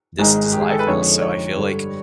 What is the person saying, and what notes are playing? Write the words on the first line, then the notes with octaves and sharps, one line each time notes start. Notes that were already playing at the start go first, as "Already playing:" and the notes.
"This is life now." So I feel like
G#1 G#2 D#3 G#3 G#4
G4
G#4
A4
B4
F2 D3 F3 G#3 C#5
C#5
G2 D3 G3